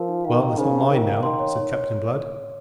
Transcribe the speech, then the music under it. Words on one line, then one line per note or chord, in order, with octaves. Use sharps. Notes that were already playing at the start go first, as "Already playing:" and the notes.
"Well, it's not mine, now," said Captain Blood.
Already playing: F3 A#4
D#4
D#3 F5
A#4
C#3 C5
F5
D#3 A#4
F5
D#3 C6
C#5
C#5
C#5